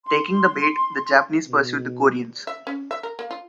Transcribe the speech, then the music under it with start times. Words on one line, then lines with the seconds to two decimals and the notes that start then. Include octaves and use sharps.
Taking the bait, the Japanese pursued the Koreans.
0.05 C6
1.48 B2
2.47 E5
2.67 C#4
2.91 E5
3.03 A#4
3.19 A#3
3.31 F4